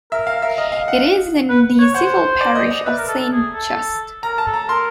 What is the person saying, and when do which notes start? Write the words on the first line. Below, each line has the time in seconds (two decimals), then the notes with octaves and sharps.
It is in the civil parish of Saint Just.
0.12 A#4 E5
0.27 A#4 F5
0.42 A#4 E5
0.58 D#5
0.72 F5
0.88 F#5
1.49 B4
1.80 C#5
1.94 C5 F#5
2.41 D5
2.55 D#5
2.71 D#5
2.86 B4 E5
2.98 A#4
3.08 A4
3.20 A4
3.32 G#4
3.54 A4
4.23 A#4 A#5
4.38 A5
4.46 A4
4.54 A#5
4.69 A#4 C6